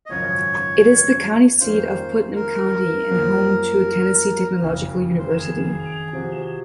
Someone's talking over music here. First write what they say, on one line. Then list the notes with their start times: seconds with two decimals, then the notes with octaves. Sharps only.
It is the county seat of Putnam County and home to Tennessee Technological University.
0.06 D#5
0.10 G#1 F#2 C#3 F3 C#5
1.60 F2 D#3 A#3 C#4 F4 C5
2.36 A#4
3.11 F#2 F3 A#3
4.62 F#1 F2 C#3
5.19 C5
5.29 A#4
5.38 G#4
6.13 C3 F3 C4 F#4